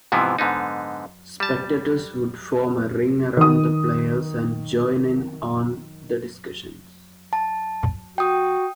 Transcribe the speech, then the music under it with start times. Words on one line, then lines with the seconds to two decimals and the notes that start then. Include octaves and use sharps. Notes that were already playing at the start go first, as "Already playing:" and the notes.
Spectators would form a ring around the players and join in on the discussions.
0.12 G#2 C3 E3 F3 B3
0.39 G#2 D3 B3 D#4
1.40 G3 A5
3.37 D#3 D#6
7.33 A5
8.18 F#4 G5 D#6